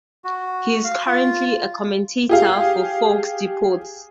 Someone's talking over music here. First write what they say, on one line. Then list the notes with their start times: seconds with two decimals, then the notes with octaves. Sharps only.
He's currently a commentator for Fox Deportes.
0.24 F#4
0.84 F5
1.06 F4
2.29 G4 G#4 F5